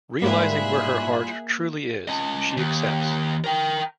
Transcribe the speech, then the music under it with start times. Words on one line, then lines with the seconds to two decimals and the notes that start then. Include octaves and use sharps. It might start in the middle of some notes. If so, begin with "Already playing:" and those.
Realizing where her heart truly is, she accepts.
0.22 G#2 G3 A#3 E4 F4 G#4 E5 F#6
2.08 C#4 D#5
2.57 D#2
3.44 A#4 G5